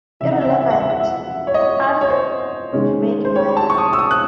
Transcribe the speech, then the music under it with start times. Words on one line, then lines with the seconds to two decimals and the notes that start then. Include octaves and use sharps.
Irrelevant, Ahmad Miller.
0.21 C#3 E3 C4 E4 E5
0.31 F#5
0.41 E5
0.51 F#5
0.61 E5
0.70 F#5
0.80 E5
0.90 F#5
1.00 E5
1.47 C#5
1.54 D#5
1.62 C#5
2.01 C#5
2.10 C5
2.73 D#3 G#3 C#4
3.25 C5
3.36 C#5
3.57 A5
3.70 C#6
3.78 D#6
3.93 E6
3.99 D#6
4.11 F#6